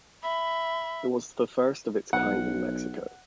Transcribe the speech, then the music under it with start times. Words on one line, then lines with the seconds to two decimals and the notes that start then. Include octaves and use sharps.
It was the first of its kind in Mexico.
0.23 E5 B5
2.13 B1 F#5